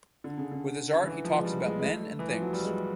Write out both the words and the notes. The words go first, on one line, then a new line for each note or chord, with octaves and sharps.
With his art he talks about men and things.
D3
C#3
D3
E3
F3
G#3
G3
G#3
G#3
A3
E3
F3
F#3
G3
G#3